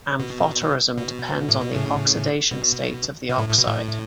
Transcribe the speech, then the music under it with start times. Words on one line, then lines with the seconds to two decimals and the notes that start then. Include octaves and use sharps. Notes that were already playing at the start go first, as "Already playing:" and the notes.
Amphoterism depends on the oxidation states of the oxide.
0.20 B2
0.98 B2
1.49 A2
1.61 B2
1.74 A2 C#3
2.51 B2
3.29 B2
3.38 A2
3.49 A2
3.58 B2
3.67 A2